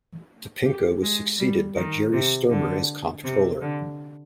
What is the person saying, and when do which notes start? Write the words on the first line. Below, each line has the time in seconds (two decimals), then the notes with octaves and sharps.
Topinka was succeeded by Jerry Stermer as comptroller.
0.65 G4
1.02 G#3
1.39 G3
1.76 D#3
2.13 C3
2.50 D3
3.24 C3
3.61 D3